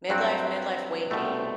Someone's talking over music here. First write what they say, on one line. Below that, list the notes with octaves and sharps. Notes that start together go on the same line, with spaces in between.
Midlife, midlife weight gain.
G2 F#3 C4 F#4
C2 B2 A3 C4